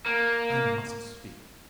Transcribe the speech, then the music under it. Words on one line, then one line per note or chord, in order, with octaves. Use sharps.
I must speak.
A#3